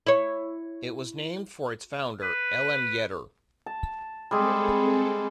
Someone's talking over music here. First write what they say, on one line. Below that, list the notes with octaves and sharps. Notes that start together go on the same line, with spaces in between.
It was named for its founder, L. M. Yetter.
E4 C#5
B4
A5
G3 G#3 C4 G#4 A4